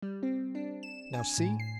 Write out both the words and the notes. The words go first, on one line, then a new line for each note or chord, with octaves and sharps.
Now see!
G3
C4
D4
E7
G#5
A2
C7